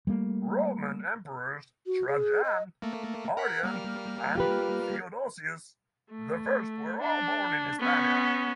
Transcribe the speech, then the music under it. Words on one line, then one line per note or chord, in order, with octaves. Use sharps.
Roman emperors Trajan, Hadrian, and Theodosius the First were all born in Hispania.
G3 A3 A#3
F#4
G#4
D#5
A3 A#3
A#4 F#5 B6
G3 A#3 F6
F4 G4 B4
A3
D4
B3 C#4